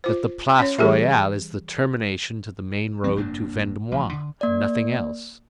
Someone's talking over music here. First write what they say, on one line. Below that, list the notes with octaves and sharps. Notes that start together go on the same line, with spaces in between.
"That the Place Royale is the termination to the main road to Vendomois, and nothing else."
F4 C5
C#4 C#5
E3 G3 G4 G#4 E5
C#2 F3 B3 C4
F1 G2 A#3 D4
A1 F3
D3
A#3 D5